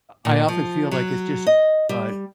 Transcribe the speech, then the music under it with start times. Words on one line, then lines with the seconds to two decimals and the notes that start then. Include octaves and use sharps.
I often feel like it's just, uh,
0.25 A#2
0.48 F3
0.91 F#3
1.47 D#5
1.89 G3